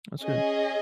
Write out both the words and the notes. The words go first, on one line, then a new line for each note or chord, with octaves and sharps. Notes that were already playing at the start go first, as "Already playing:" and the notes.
That's good.
C#4 G#4 D#5